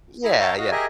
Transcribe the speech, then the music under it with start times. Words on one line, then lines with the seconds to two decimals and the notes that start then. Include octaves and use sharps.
Yeah, yeah.
0.24 E4 G#4 A#5 B5
0.39 C#5 E5 F5 G5 A5 A#5
0.57 F#4 D#5 F5
0.71 G4 G#4 A#4 D#5 E5 G#5